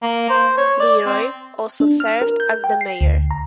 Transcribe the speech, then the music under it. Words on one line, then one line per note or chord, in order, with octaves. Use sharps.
Leroy also served as the Mayor.
A#3
C5
C#5
D5
C4
D4
F6
A#4
G6
G5
C7
D2
A#5